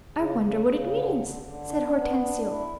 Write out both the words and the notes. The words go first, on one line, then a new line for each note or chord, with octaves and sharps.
"I wonder what it means," said Hortensio.
C#3
C#3
C#3
D3
D3
D3
D4
B3
D4
E4